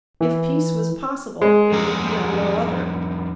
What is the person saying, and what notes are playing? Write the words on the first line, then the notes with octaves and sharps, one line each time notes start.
If peace was possible, it would be on no other.
E3
G#3
F2 G3 A#4